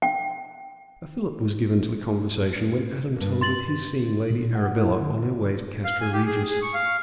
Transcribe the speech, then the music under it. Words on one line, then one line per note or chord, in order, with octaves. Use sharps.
A fillip was given to the conversation when Adam told of his seeing Lady Arabella, on her way to Castra Regis.
G5
G2 A#3
C6 A6 F#7
A#2
F#5
E4
D3
F5
G#5
G4
G#4
G#4
C#6
F5